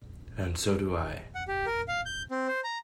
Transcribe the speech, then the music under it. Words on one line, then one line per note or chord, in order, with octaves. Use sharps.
And so do I.
F#5
G4
A#4
F5
G6
C4
C5
A#5